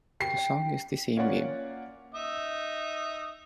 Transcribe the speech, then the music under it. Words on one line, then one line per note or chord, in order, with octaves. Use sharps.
The song is the same game.
G5 C7
A#3 C#4 F4 C#5 D5 F#5
D#4 E5 D#6